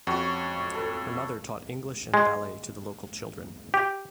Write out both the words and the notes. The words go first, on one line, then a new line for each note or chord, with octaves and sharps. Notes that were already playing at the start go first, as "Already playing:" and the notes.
Her mother taught English and ballet to the local children.
F2 C#4 F#4
A4 B4
G#3
G4